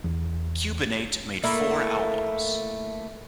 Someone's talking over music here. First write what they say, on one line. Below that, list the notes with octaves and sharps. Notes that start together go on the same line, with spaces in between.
Cubanate made four albums.
E2
A3 A#3 E4